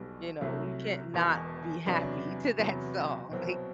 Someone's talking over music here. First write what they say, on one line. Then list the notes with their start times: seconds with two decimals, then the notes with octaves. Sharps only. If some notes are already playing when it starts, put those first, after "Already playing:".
you know, you can't not be happy to that song, like,
Already playing: B1 B2 G3
0.41 C2 C3 F#3 A3
1.13 E1 E2 B2
1.86 E2 C3 F#3 B3 D4
2.58 E2 C3 F#3 B3
3.31 C2 B2 F#3 C4